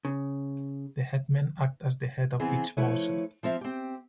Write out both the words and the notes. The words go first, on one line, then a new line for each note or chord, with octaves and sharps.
The headmen act as the head of each mouza.
C#3
E3 B3 C4 G#4
F3 A3 E4 B4 C#5
F3 C4 F4 E5
C4 G4